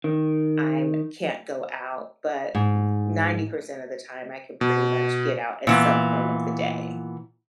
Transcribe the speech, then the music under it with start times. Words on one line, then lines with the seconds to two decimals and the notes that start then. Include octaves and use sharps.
I'm can't go out, but n ninety percent of the time I can pretty much get out at some point of the day.
0.04 D#3
2.55 G#2
4.61 B2
5.67 A#2 E3 B3